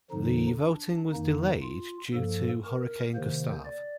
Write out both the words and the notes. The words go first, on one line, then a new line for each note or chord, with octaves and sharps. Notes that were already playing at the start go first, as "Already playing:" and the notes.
The voting was delayed due to Hurricane Gustave.
F2 D3 F3 D#4
D4
F2 D#3 A#3 D#4
F4
G2 F3 A#3 A4
A#4
C3 D#3 A#3 C5
D5